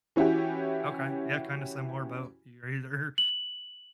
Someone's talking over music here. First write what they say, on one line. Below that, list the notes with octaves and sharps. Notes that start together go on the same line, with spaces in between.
Okay, yeah, kinda similar boat. You're either
E3 C#4 E4 F#4 G4
F#7